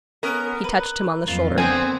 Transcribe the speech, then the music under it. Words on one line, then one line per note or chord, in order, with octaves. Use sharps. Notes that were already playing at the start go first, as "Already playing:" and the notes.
He touched him on the shoulder.
B3 C#4 A#4
B4
F2 F4
D3 B3 C4 G#5